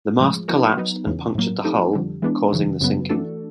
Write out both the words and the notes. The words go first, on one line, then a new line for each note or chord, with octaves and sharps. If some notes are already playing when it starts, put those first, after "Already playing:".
The mast collapsed and punctured the hull, causing the sinking.
A2 F3 G#3
F3 A#3 D#4 F#4 A#4
F#3 B3 D#4
E2 C#3 E3
A2 F#3 A#3
F3 A3 C4 D#4 G4
F2 D3 G3
E3 G#3 B3 D4
F#2 C#3 E3
F#2 C#3 F#3 B3
E3 A3 D4 F#4 A4